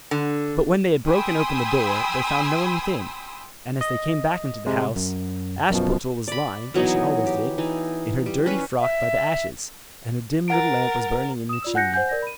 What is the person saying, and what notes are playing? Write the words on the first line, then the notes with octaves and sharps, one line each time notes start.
But when they had broken open the door they found no one within; and as they came back into the house, Ashputtel was lying, as she always did, in her dirty frock by the ashes, and her dim little lamp was burning in the chimney.
D3
G5 G#5 B5 C6 D#6 E6
D#5
C3 G#3
F#2
F#2 B2 F3
D5 B5
E3 F#3 B3 D#4
G4
E3 D#4
G3
C#4 B4
E5
A#4 F#5 A6 D7
D#6 E7
F4 D5 E6
F#5 G#5 F#6 G6 A#6 C#7
C5 F#5 G#5 G6
A#4 D5 G6 A#6
B5 D#7